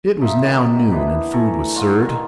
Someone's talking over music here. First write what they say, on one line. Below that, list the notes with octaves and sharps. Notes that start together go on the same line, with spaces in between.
It was now noon, and food was served.
F3 D#4 E5
C3 D#3 B3 G4
E3 B3 D4
A3 A4 G#5 A#5
B2 F#3 F4 F#4
D#3 F4 A#4 C#6